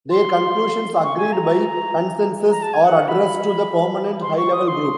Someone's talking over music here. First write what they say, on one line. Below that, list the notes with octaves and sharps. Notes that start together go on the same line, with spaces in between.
Their conclusions, agreed by consensus, are addressed to the Permanent High Level Group.
C6
C#6
G#5
A#5
A#5
A5
G#5
F#5
B5
C6
C#6
D#6
C6